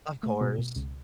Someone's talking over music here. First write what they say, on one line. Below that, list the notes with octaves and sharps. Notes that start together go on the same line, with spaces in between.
Of course.
A3
B2
B2
C#2